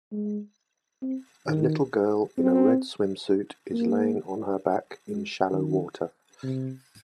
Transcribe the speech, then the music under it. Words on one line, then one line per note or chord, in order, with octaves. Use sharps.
A little girl in a red swimsuit is laying on her back in shallow water.
G#3
C4
D#3
C4
A#3
G#3
D#3
C3